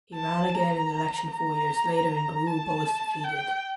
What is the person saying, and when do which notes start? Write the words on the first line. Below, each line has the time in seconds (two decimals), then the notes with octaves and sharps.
He ran again in the election four years later in Groulx but was defeated.
0.15 A5
0.54 A#5
1.31 A#5
2.47 A5
3.24 G5